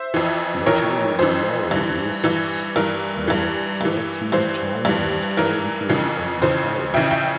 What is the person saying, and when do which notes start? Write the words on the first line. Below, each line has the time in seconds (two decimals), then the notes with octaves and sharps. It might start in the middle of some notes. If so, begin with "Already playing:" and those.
The table below lists the thirteen townlands currently in the parish.
Already playing: C5 E5
0.14 F2 E3
0.66 F2 E3 A#4 C#5
1.19 F2 E3 C5
1.71 G2 E3
2.24 G2 E3
2.76 G2 E3 A#4
3.28 G2 E3
3.81 G2 E3
4.32 G2 E3 C5
4.85 G2 E3
5.37 G2 E3 A#4
5.89 F2 C#3 E3
6.42 F2 C#3 E3 C5
6.94 F2 C#3 E3 E5 G5
7.11 E5 G5